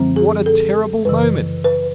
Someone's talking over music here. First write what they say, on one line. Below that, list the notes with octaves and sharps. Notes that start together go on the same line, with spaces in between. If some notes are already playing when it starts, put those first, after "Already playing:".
What a terrible moment!
Already playing: F#2 D3 F3 G#3 C4
G#4
A4
F#2 C#3 E3 B4
B4